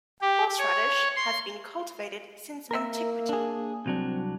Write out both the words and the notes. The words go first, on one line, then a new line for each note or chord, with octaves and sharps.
Horseradish has been cultivated since antiquity.
G4
C#5
C6
A#3 A#4 E5
D4 G#4
C2 F#3 C4 D4